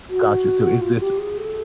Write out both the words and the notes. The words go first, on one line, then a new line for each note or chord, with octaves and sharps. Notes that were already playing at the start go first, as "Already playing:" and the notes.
Gotcha. So is this
F#4
F4
G4
G#4
A4